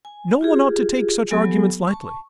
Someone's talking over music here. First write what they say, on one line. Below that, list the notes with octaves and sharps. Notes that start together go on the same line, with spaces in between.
No one ought to take such arguments lightly.
G#5
F4 G4 G#4
F#3 B3 G4 A4 G#5
A5 C#6